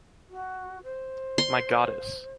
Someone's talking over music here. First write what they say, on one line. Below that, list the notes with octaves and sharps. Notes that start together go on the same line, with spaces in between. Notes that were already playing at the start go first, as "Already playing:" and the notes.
My goddess.
F#4
C5
C6